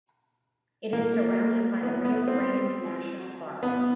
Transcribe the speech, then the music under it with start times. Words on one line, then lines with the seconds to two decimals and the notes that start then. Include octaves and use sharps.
It is surrounded by the Rio Grande National Forest.
0.93 A#3
1.83 B3
2.05 B3
2.28 C4
3.63 B3